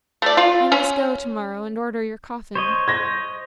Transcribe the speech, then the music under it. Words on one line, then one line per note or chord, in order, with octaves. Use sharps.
I must go to-morrow and order your coffin.'
A3 D5
F4
C#4
C5 C#5 D#5
G#6 A#6